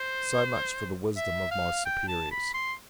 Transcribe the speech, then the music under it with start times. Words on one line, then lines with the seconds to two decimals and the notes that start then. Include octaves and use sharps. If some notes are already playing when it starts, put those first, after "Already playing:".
So much for the wisdom of my superiors.
Already playing: C5
1.16 E5
1.51 F5
1.85 G5
2.08 A5
2.31 B5
2.54 C6